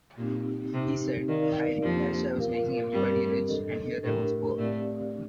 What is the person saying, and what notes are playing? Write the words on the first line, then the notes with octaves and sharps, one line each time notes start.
He said, "I realised I was making everybody rich, and here I was poor".
A#2 C4 D#4 G4
C3 C4 D#4 G4
D#3 D#4 A#4 D5 F5
F2 F3 A#3 D4 G4
F4 A#4 F5
G2 G3 C4 G4 A#4
D4 A4 D#5
A2 A3 D4 G4 A#4
A2 A3 C4 G4 D5 F5
D4